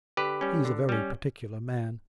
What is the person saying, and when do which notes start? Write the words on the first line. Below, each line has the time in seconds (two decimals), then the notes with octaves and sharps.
He's a very particular man.
0.17 D3 G4 B4
0.41 G3 C#4
0.65 D3
0.89 G3 C#4